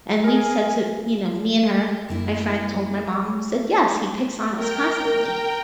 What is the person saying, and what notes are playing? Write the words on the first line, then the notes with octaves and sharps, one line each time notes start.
And we'd said to, you know, me and her, my friend told my mom, said, "Yes, he picks on us constantly."
G#4 A#4 G#5
F#2 A#3 E4
A#4 G5